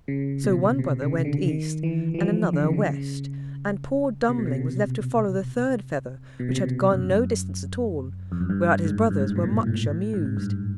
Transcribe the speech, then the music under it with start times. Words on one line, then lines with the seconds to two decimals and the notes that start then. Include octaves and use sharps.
So one brother went east, and another west, and poor Dummling was left to follow the third feather, which had gone no distance at all, whereat his brothers were much amused.
0.08 C#3
0.44 B2
0.79 C3
1.02 C#3
1.25 D3
1.48 D#3
1.83 E3
2.14 E3
2.19 F3
2.53 D3
2.64 C#3
2.73 D3
2.89 C#3
4.29 C3
4.38 B2
4.47 C3
6.39 B2
6.49 C3
6.57 B2
6.92 F#2
8.32 F2
8.40 F#2
8.50 G2
8.85 G#2
9.10 G2
9.20 G#2
9.36 B2
9.43 A#2
9.67 A2
9.90 A2
10.14 G#2
10.26 G#2
10.37 G2